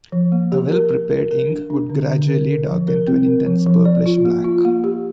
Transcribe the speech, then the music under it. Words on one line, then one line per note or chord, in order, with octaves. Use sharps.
A well-prepared ink would gradually darken to an intense purplish black.
F3
A#3
G4
A#4
A#4
A#4
A#4
D4
D4
D3
D3
A#4
A#4
F3
A#4
C4
A#4
F3
F3
D5
F4
A#3
F4
A#3
G4